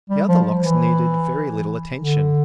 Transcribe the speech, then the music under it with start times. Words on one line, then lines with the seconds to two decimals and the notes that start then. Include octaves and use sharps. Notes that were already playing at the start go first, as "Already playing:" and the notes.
The other locks needed very little attention.
0.10 G3
0.28 F3
0.61 E3
1.97 D3